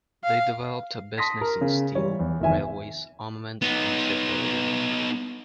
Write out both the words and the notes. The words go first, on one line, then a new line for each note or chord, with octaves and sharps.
They developed a business in steel, railways, armaments, and shipbuilding.
F5
A5 C6 D#6 A#6 B6
A#4
C#3
E3 G3 C#5
E2
F1 D#3 E3 E5 G#5
B3 D#4